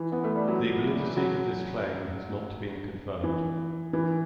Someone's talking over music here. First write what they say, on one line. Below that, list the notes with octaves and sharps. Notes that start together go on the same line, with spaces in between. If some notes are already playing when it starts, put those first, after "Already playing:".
The validity of this claim has not been confirmed.
Already playing: E3
B3
A3
G3
F#3
F#3
E3
E3